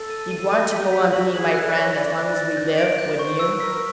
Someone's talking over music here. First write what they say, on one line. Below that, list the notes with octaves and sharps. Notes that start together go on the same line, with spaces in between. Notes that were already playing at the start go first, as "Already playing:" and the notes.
"You'd want to go on being my friend as long as we live, wouldn't you?"
Already playing: A4
D#7
D#7
D#7
G4 B6
G4 B6
F4
F#4 F#7
G#4 F#7
A4 F#6
D5
C#5 A#6
D5 A#6
D5 F#6
A#6
G6
D7
G6
C5 C#6
B4 E6
A#4 B6